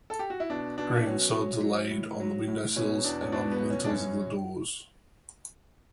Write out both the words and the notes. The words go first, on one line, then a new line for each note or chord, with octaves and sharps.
Green sods are laid on the windowsills and on the lintels of the doors.
A4
G4
F#4
E4
B2 D4
B2 D4
F#3 C#4
F#3
F#3
A2
F#3
A2
B2 C#4
E2 D4
C#4
B2 D4
B3
F#3
C#4
D4
F#2 C#4